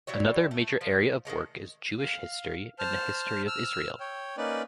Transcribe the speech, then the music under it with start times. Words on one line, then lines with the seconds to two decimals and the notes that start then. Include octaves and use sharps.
Another major area of work is Jewish history and the History of Israel.
0.07 F#3 G3 E4 C#5
0.51 A3
0.81 F3
1.25 D#3 E3 G#3 A3
1.98 F5
2.79 C5 A5 F6
3.47 E6 F6
4.00 C#5 G5
4.37 A#3 C#4 D#4 B4 D5